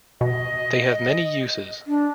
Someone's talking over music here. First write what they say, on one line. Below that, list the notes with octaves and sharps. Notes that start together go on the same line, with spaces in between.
They have many uses.
B2 D#5
D4